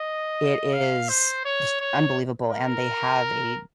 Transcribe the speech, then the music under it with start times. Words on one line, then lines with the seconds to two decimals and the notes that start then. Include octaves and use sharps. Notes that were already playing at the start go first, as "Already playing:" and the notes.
it is just unbelievable, and they have a
Already playing: D#5
0.73 F5
1.09 C5
1.45 C#5
1.80 C#5
2.52 A#4